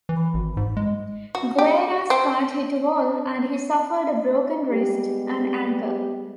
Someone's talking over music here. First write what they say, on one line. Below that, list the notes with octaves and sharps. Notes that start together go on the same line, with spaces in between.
Guerra's car hit a wall, and he suffered a broken wrist and ankle.
E3
G#1
G#2
G#3
F#4
G4
C4
G3 G#3 B3 G4